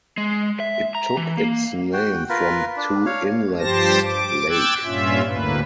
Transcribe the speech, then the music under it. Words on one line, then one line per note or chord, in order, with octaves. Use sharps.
It took its name from Two Inlets Lake.
G#3
E5
A#5
E3
A#3
F#4 G5
F4 A#4 B4
D4
C#5 F5
G2 F3 G4 C5 A5 A#6
D6
G5 D6 E6 F#6 G#6 A6
G2 A#2 C#4 F4 E5
D2 A2 A#3 B4